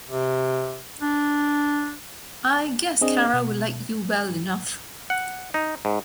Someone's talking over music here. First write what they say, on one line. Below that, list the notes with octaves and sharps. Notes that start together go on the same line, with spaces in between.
I guess Cara‘ll like you well enough.
C3
D4
C4 D4 G#4 D#5
B2
F#5
D#4
G#2